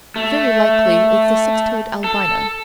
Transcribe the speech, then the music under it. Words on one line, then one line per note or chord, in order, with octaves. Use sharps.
Very likely it's the six-toed albino.
A3
A4